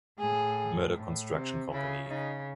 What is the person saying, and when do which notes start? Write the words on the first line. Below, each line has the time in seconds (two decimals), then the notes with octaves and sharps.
Murdock Construction Company.
0.19 A2 G#4
0.95 A2
1.33 C3
1.71 C#3 E4
2.09 C#3 D#4